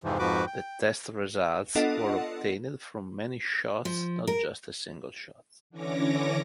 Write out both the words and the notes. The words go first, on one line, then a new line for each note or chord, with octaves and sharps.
The test results were obtained from many shots not just a single shot.
F2 G#2 C3 E3 F3
F2 G#2 F3 F#4 B4 D6
G5
B3 D4 F4 A4 D#5 F#5
F3
A#4
D3 E3 C#4 C#5 D6 A#6